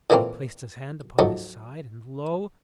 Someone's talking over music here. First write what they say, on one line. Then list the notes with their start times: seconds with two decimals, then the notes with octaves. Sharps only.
He placed his hand upon his side, and, lo!
0.10 A#2 E3 A3 A#3 C4
1.19 G#2 F3 F#3 A3